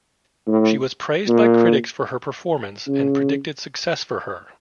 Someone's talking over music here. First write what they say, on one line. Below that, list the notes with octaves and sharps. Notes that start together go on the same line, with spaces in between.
She was praised by critics for her performance and predicted success for her.
A2
A#2
C#3